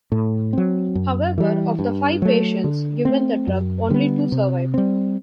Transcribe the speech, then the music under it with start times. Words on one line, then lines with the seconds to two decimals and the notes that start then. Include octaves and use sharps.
However, of the five patients given the drug, only two survived.
0.12 A2
0.53 F#3 C4
0.95 F#2
1.38 E3 G3
1.79 G2
2.22 F#3 A3
2.64 D3
3.05 A3 C4
3.47 F#2
3.90 D3 G3 B3
4.32 C3
4.74 G3 C4